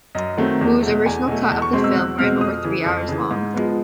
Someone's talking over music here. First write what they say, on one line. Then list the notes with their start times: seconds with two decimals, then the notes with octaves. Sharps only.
Woo's original cut of the film ran over three hours long.
0.15 F#2 D#5
0.37 D#3 F#3 A3 C4
0.61 E2
0.83 B2 F#3 A3
1.06 E2 G#5
1.28 B2 F#3 A3
1.50 E2 A5
1.62 C#6
1.73 B2 G#3 C4 C6
1.84 E6
1.96 E2 F#6
2.18 B2 G#3 C4 F6
2.41 F2 D#6
2.64 C#3 E3
2.86 F2
3.08 C#3 E3
3.31 G#2
3.54 F3 G#3 B3